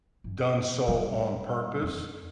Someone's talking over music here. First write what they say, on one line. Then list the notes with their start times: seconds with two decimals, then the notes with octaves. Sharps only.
done so on purpose.
0.24 E3
0.88 E3 G3
1.82 F2